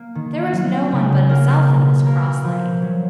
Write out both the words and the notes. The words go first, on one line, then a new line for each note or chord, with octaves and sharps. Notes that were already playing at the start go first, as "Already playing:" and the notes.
There was no one but himself in this cross-lane.
Already playing: A#3
D#3
F#3
C#3
A#3 A#4
B2
A#3 A#4
F3
F#3